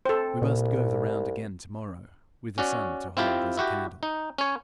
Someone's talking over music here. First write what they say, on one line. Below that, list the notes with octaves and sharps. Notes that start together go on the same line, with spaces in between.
We must go the round again to-morrow--with the sun to hold as a candle.'
C4 A4 C5
C2 A#2
C#4 F#4 D5
C4 E4 F4 G4
E4 F#4 G4
D#4
C#4 C#5